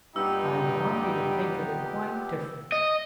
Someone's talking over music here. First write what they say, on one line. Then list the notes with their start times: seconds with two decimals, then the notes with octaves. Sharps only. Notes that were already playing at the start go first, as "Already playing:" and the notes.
I want you to think of it quite differently.
0.16 G2 A#2 B3 D#4 G4 G5 E6
2.72 D#5